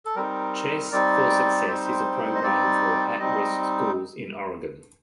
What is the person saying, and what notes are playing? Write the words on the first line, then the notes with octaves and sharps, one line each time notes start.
Chess for Success is a program for at-risk schools in Oregon.
A4
G3 C4 D#4 A#4
G3 C4 D#4 D5
G3 C4 D#4 C5
D#5
G3 C4 D#4 D5
D5
G3 C4 D#4 D#5